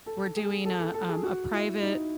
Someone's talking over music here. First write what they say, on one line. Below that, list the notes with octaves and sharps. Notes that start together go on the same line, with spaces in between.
we're doing a um, a private
A4
G#4
A4
A4
A4
G#4
F#4
E4
D#4